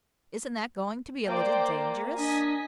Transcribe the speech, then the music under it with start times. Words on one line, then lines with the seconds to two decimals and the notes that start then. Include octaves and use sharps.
"Isn't that going to be a little dangerous?"
1.26 A#3 C5 D5 G5
2.18 D4 D#5 G#5 B6